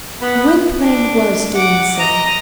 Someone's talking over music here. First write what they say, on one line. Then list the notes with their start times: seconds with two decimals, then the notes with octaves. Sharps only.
Gwynplaine was doing so.
0.21 B3
0.80 D4
1.54 F#5 D6
1.97 D#5 A#5